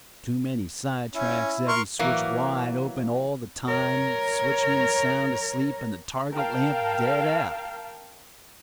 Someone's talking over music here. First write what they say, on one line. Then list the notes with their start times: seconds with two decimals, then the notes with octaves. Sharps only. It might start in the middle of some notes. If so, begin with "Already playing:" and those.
Too many side tracks; every switch wide open all the time, switchman sound asleep and the target-lamp dead out.
1.15 C#4 E4
1.68 A#4 C6 C#6
1.99 E3 F#3 A#3
3.68 A#4 C#5
6.32 A#4 F5 G5 A5